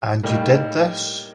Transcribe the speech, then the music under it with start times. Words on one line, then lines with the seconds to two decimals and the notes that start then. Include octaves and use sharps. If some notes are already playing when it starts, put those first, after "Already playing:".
And you did this?
0.23 A2 G3 A#3 D#4